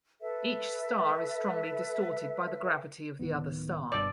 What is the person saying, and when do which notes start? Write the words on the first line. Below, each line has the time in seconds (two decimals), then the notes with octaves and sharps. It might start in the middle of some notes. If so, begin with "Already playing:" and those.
Each star is strongly distorted by the gravity of the other star.
0.21 A4 B4 E5
3.19 D1 D#3 B3
3.92 G1 G2 B2 D5